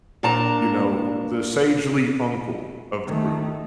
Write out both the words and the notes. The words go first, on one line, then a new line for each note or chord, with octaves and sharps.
you know, the sagely uncle of the group,
A#2 D4 A5 A#5
D#3 A3